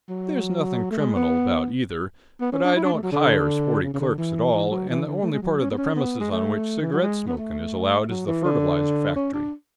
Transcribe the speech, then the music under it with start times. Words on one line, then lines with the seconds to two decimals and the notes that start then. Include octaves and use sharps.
There's nothing criminal about either, but I don't hire sporty clerks at all, and the only part of the premises on which cigarette smoking is allowed is the fertilizer factory.
0.09 F#3
0.91 A3
0.98 G#3
1.16 B3
2.41 B3
2.52 C#4
2.64 D4
2.76 E4
2.85 D4
2.93 A3
3.03 F#3
3.12 D3
3.83 C#3
3.94 C#3
4.00 D3
4.18 E3
4.53 E3
4.71 F#3
4.89 E3
5.07 D3
5.22 A3
5.32 G#3
5.42 F#3
5.60 C#4
5.71 B3
5.78 C#4
5.96 B3
6.20 G#3
6.32 A3
6.81 E3
6.93 F#3
7.02 G#3
7.27 B3
7.38 A3
8.09 F#3
8.27 E3
8.44 D3
9.16 C#4
9.34 D4